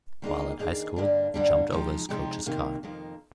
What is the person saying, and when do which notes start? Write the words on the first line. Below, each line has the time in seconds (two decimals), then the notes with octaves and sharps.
While in high school, he jumped over his coach's car.
0.22 D#3 A#3 D4 G#4 D#5
0.59 D#3 A#3 D4 G#4 D#5
0.96 G2 D3 G3 A#3 D4
1.34 G2 D3 G3 A#3 D4
1.71 C3 F3 G#3 D#4 G4
2.09 C3 F3 G#3 D#4 G4
2.46 F2 C3 D#3 A#3
2.83 F2 C3 D#3 A#3